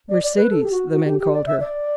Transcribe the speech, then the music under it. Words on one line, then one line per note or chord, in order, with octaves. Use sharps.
"Mercedes" the men called her.
D5
D5
B4
A4
G4
F#4
F#4
G4
G4
D5
E5
D5